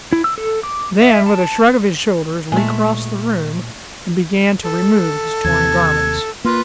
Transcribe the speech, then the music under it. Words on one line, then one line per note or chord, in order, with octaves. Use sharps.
Then, with a shrug of his shoulders, recrossed the room, and began to remove his torn garments.
E4
E6
A4
D6
E5
A5
A#2 G#3 A3
A4
D#2 C3 G#6
A#3 F4 B4